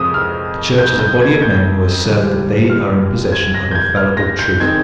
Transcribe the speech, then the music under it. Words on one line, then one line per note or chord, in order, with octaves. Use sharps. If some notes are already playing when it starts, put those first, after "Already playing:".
A church is a body of men who assert that they are in possession of infallible truth.
Already playing: F2 C3 F3 G#3 C4 D#6
F6
G6
G6
G#6
G6
D#2 C#3 G3
F6
G#6
A#6
G6
G#6
F6
A#6
G6
D#3 G#3 C4 G#6